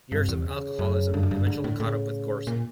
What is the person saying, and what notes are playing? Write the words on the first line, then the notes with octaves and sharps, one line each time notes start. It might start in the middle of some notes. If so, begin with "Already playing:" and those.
Years of alcoholism eventually caught up with Gorcey.
G2 C3
E2
C#3
F#2
G2 D3
F#2
G2
G#2
A2
A2 C#3
A#2